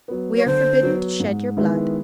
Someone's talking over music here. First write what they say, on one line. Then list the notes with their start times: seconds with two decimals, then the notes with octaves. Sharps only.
"We are forbidden to shed your blood."
0.08 F#3 B3
0.37 C#5
0.46 D3 C5
0.83 F#3 B3
1.20 G#2
1.57 D#3 G#3 B3 E4